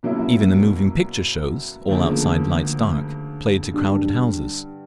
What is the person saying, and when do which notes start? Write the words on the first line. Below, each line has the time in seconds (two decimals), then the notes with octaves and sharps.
Even the moving-picture shows, all outside lights dark, played to crowded houses.
0.03 B2 F#3 A#3 C#4 E4
1.89 D2 C#3 F3 A#3
3.74 G2 D3 G3